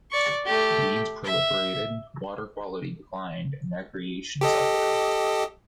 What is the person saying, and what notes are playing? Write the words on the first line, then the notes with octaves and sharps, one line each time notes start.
Weeds proliferated, water quality declined, and recreation suffered.
D5 C#6
A3 G4
E5
G4 A4 D#5